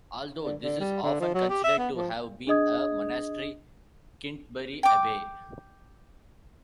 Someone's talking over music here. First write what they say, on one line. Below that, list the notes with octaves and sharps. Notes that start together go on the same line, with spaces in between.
Although this is often considered to have been a monastery, Kintbury Abbey.
D3
D3
G3
D3
F3
F#3
G4
E5
B3
F3
D4 G#4 D#5 D#6 G#6
G5 D6